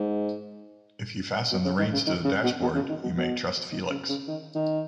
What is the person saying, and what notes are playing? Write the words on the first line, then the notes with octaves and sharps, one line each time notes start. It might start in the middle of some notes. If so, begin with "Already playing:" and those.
If you fasten the reins to the dashboard, you may trust Felix.
Already playing: G#2
B2
C#3
D#3
C#3
D#3
C#3
B2
B2
C#3
D#3
B2
B2
D#3
C#3
C#3
D#3
D#3